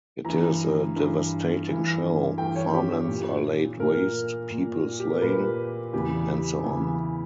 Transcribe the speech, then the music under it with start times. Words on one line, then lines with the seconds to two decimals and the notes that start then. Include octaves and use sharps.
It is a devastating show: farmlands are laid waste, people slain, and so on.
0.24 G2 E3 A#5
0.96 G2 E3
1.67 G2 E3
2.38 G2 E3 G5
2.55 C#5
2.74 G4
3.08 A#2
3.80 A#2 A#4
4.51 A#2
4.99 G4
5.11 A#4
5.22 A#2 B4
5.93 E2 C#3 E3 G4
6.64 E2 C#3 E3